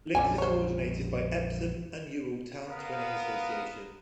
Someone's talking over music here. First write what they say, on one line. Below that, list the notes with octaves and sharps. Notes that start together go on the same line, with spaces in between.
Links are coordinated by Epsom and Ewell Town Twinning Association.
A#1 F2 D3 C#4 G#5
C5 C#5
B3 A#4 B4 D#5 F5